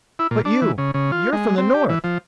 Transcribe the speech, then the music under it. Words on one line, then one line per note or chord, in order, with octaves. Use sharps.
"But you--you're from the North."
E4
A#2
D4
E3
C#3
C#3
F4
G#3
C4
G4
E3
F3